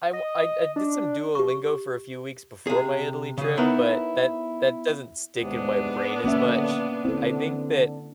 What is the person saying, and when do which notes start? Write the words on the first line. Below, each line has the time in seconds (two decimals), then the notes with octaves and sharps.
I wa I d I did some Duolingo for a few weeks before my Italy trip, but that that doesn't stick in my brain as much. I think that
0.13 D#5
0.76 D4
1.35 G4 C#6
2.67 C3 G#4
3.38 C#3 G#4
3.57 B3 D#4 E4 A#4 B4 C#5
5.40 D#2 C3 G#3 B3 D4
6.24 F#2 D3 A#3 C#4 E5
7.05 D3 C4 E4 A4